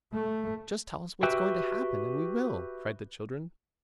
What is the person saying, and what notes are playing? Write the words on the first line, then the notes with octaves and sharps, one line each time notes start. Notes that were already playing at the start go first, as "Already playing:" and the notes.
"Just tell us what's going to happen, and we will," cried the children.
A3
F#4 G4 B4 E5 G5